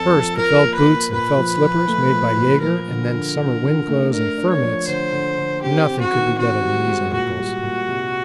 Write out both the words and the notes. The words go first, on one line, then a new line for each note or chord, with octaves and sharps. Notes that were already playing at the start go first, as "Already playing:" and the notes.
First the felt boots and felt slippers made by Jaeger and then summer wind clothes and fur mits--nothing could be better than these articles.
Already playing: F2 F3 A4
F3
F3 A#4
A#3
B4
A#3
A#2 B4
F3
F3
A3
F3
A#2
F3 A#4
D3
D3
D3
D3
A3
D4 A#4
D4
C#5
F3
D3 C5
D3
D3
C4 G4
C4
F#4
D#3
C4 F#4
G3
G#2
A#2 F#4
G3
A#2
C2